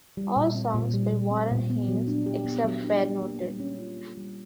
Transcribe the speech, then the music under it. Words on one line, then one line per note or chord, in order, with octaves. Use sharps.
All songs by Warren Haynes, except where noted.
G3
A#2
C4
A#2
G3
A#2
C4
A#2
B3
F#3
D4
G4
B3
F#3
D4
G4
A#3
G3
C#4
F4
A#3
G3